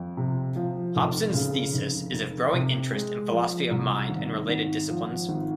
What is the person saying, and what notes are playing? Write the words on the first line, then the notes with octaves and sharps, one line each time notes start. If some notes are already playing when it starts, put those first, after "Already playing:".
Hobson's thesis is of growing interest in Philosophy of Mind and related disciplines.
Already playing: F2
C3
F3
F1
C#3
F1
F1
C3
G#3
F3
C2
G#1
G#1
F3
G#1